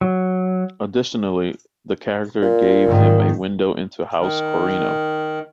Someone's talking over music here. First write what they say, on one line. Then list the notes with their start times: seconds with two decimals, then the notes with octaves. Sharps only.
Additionally, the character gave him a window into House Corrino.
0.01 F#3
2.42 A#2
2.86 G#2 D#3
4.21 D#3